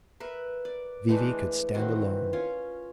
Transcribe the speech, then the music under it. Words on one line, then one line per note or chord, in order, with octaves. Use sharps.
V.V. could stand alone.
A#4 B4 E5
D5
E3 G#3 A3 D4
D#3 E3 C4 F#4
C#4 F4 C#5